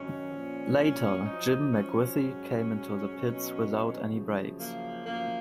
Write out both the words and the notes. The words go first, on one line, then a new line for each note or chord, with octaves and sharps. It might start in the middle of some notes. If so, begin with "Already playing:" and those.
Later, Jim McWithey came into the pits without any brakes.
Already playing: F#2 D#3 F#3 C#4
A#2 F3
F#2 F3 D#4
C#4
G#2 F#3
B2 F#3
F#2 C#3 F3
A#3
F#2 C#3 F3 A#3